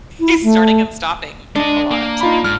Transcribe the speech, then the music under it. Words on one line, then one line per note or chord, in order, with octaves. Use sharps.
he's starting and stopping a lot.
E4
A3
G#3 D4 D#5
A#3
D#4 F4 B5
G#2 F6